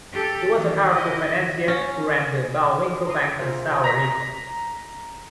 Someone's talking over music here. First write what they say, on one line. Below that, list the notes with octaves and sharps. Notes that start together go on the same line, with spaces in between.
He was a powerful financier who ran the Bohlwinkel bank in Sao Rico.
G4 A4
D#3 E3
E4 D#5
C#4
A#5 C6 D6 D#6
F4 G#4 A#4 C5 E5
A#5 A#6 B6